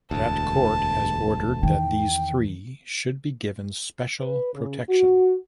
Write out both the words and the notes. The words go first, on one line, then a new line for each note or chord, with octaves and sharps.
That court has ordered that these three should be given special protection.
E1 D2 A5
E2 D#3 G5
B4
C#3
F#4